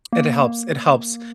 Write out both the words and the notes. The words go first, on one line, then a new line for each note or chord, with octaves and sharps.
it helps it helps
A#3